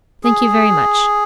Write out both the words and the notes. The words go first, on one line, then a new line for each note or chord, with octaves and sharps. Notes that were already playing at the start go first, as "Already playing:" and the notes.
'Thank you very much.'
G#4